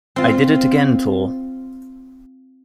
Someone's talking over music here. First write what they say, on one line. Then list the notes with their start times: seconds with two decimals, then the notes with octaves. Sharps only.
I Did It Again Tour.
0.16 C4 F4